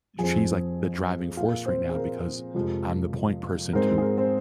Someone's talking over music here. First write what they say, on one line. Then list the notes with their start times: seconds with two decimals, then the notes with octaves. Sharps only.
She's like the driving force right now because I'm the point person to
0.19 F2 F3 C4 G#4 G#5
1.37 A#2 A#3 F4 F5
1.66 C4 C5
1.89 G#4
1.96 A#4
2.55 F2 C3 F3 G#3
3.73 G#2 G#3 C4 A#4
3.98 G#4
4.02 A#4
4.18 C4 C5